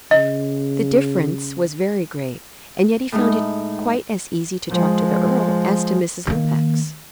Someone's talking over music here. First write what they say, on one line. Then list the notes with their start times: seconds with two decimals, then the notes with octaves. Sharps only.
The difference was very great, and yet he found it quite as easy to talk to the earl as to Mrs. Lupex.
0.11 C#3 D#5
3.12 A2 G#3 D#4
4.70 F3 G#3
6.27 D#3 A#3